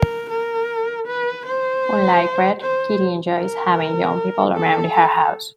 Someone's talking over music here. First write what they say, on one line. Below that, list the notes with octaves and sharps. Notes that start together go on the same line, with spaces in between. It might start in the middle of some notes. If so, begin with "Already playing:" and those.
Unlike Red, Kitty enjoys having young people around her house.
Already playing: A#4
A#4
B4
C5
C5
A#4
A4